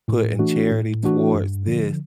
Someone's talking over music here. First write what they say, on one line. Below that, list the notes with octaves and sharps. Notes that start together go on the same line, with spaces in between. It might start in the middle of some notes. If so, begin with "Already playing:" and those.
putting charity towards this,
A2
E3 A3 D4 F#4
A2
E3 A3 D4 F#4
G2
D3 F3